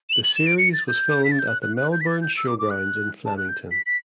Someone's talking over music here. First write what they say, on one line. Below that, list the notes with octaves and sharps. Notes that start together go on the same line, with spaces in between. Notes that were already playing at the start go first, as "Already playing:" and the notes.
The series was filmed at the Melbourne Showgrounds in Flemington.
E7
F#7
F#7
E7
D7
C#7
A6
G6
B6
A6
G6
F#6
F#6
F#6
G6
B6
A6
G6
E6
D6
D6
F#6
A5
F#6
G6
B6
B6